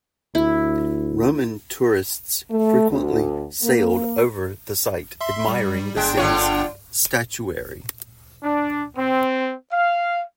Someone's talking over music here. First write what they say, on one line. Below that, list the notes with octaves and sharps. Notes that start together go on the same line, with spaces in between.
Roman tourists frequently sailed over the site, admiring the city's statuary.
D2 E4
A3
D2
A#3
E5 C6
G3
G1 G#3 D4 G5
D3 F4 C#5
D4
C4
F5